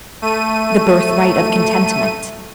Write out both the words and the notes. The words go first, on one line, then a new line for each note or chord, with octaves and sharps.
The birthright of contentment.
A3 D#7